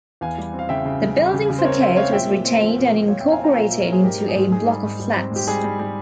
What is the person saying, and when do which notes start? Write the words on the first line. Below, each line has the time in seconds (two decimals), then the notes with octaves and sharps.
The building facade was retained and incorporated into a block of flats.
0.21 E2 F5 G#5
0.38 G3
0.54 C4
0.59 F5
0.69 C#3 E5 G5
0.85 C#3
1.02 C#3
1.17 G3
1.34 C#3
1.50 C#3
1.58 C5
1.65 C4 A#4 C#5
1.81 C4 C5 E5
1.96 C4 C#5 F5
2.12 A#2 E5 G5
2.29 A#2
2.45 C4
2.61 F3
2.77 A#2
2.92 F3
3.08 A#2 C#5 F5
3.20 C4 E5 G5
3.32 F5 G#5
3.40 C4 G5 A#5
3.56 A#2 F5 G#5
3.70 A#2 E5
3.80 A#4 C#5
3.88 C4 G#4 C5
4.04 G#2 G4 A#4
4.19 G3
4.28 G#4
4.36 G#2
4.52 G#2 G#4
4.68 G3
4.84 G#2
5.00 G3
5.15 C4
5.32 G#2 G4
5.47 G3 G#4
5.64 G3
5.79 G3